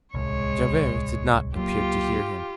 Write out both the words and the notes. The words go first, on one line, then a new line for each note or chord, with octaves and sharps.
Javert did not appear to hear him.
D1 C2 G#3 C#5
C#2 F#3 A#3 F4 G4